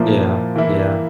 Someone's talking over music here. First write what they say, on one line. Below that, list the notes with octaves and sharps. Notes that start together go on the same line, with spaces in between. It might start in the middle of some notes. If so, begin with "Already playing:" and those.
Yeah, yeah.
Already playing: A#2 F3 A#3 E4
E3 A#3 E4